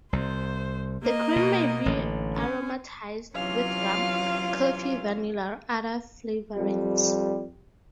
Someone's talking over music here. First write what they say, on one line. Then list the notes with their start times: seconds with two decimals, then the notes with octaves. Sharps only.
The cream may be aromatized with rum, coffee, vanilla, or other flavorings.
0.13 C2 C5
1.02 A#3 D#5
1.36 B2
1.86 A1 D3
2.35 C#4
3.35 C3 E3 F#3 C#4 F4 F5
6.54 F2 G3